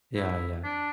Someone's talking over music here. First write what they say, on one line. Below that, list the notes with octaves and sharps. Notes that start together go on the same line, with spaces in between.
Yeah, yeah.
E4
D4